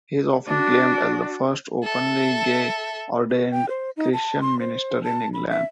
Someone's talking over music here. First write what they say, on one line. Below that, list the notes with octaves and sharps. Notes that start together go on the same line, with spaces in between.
He is often claimed as the first openly gay ordained Christian minister in England.
D4 F#4
A4 E5
F#4
G5
C5
D#4
A5
C6
C5
A5
B5
E5